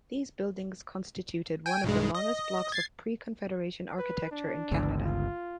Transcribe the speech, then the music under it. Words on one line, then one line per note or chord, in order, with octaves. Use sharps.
These buildings constituted one of the longest blocks of pre-Confederation architecture in Canada.
G5 G#5
B1 G2 G#3
D#5
G#6 A6 C7
B4
D4
G1 C#2
F4